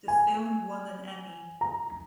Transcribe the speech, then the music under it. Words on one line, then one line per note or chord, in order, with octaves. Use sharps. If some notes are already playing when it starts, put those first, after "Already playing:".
The film won an Emmy.
G#5
A#5